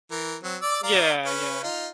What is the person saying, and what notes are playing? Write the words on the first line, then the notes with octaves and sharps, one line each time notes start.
Yeah, yeah.
E3 A#4
F#3 C4
D5 D6 E6
D5 F5 A#5
C#4 B4
D#4 F4